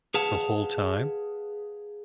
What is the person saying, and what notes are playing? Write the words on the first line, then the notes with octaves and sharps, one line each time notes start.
The whole time?
G#4 B4 F5 F#5 A5